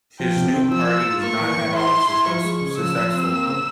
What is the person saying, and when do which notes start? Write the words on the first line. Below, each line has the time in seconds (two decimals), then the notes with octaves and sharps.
His new party was not at all successful.
0.20 F3 G5
0.37 C3
0.54 C4
0.71 F3 E6
0.89 F4
1.07 F4
1.23 A#3 C#6
1.41 E3
1.57 E3
1.75 E4 C6
1.92 E4
2.10 E4
2.27 F3 C#6
2.44 G#3
2.61 C#3
2.79 F3 E6
2.96 F3
3.13 C4
3.31 A#3
3.48 C#3